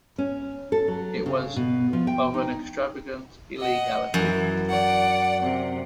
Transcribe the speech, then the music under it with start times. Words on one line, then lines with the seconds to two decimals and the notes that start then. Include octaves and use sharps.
It was of an extravagant illegality.
0.18 C#4
0.72 A4
0.88 F#3
1.26 C#3
1.56 B2
1.93 F3
2.07 G5
2.34 D#4
3.58 D#5 F#5
4.14 F#2 E3
4.69 D5 F#5
5.42 C3